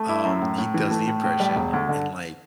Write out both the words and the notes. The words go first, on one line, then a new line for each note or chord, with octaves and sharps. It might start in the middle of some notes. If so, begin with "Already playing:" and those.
um, he does the impression and, like
Already playing: A3
E4
F#2
A2
A2
E3
A3
A2
A2
G3
E1
D2
D3